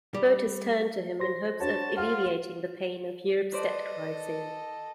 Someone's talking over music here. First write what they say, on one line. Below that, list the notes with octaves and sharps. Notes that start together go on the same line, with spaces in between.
Voters turned to him in hopes of alleviating the pain of Europe's debt crisis.
G3
C5 C6 A#6
D4 F#4 C#5 A5
F4 F#5 F6
A4 B4 C5 D5 D#5